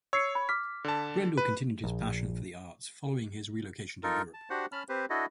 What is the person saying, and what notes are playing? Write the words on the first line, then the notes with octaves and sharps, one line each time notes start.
Brendle continued his passion for the arts following his relocation to Europe.
C#5 E6 C7 C#7
B5
D6 F6 B6
D3 A5
B4
A#1
D#4 F4 A4 A#4
A5
D4 F#4 G4 C5 F#5
C#4 A5 B5 F6
C4 G4 B4 C5
D4 E4 F#4 A4 D#5